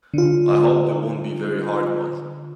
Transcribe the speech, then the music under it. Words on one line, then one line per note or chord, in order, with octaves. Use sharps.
I hope they won't be very hard ones.
D3 F4